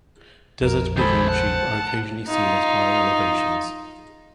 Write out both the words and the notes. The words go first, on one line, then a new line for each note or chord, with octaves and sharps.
Desert bighorn sheep are occasionally seen at higher elevations.
A#1 F2 A#4
D#3 G#3 A4 C5 B5
F#5 A5
D#4 F4